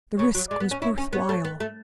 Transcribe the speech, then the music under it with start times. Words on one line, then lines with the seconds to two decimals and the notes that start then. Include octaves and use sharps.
The risk was worth while.
0.18 C#3 C#5
0.35 F#3
0.50 G#3 D5
0.60 B3
0.71 C#4
0.81 E4 C#5
0.98 C#4
1.13 B3 C#5
1.29 A3
1.45 B3
1.60 A3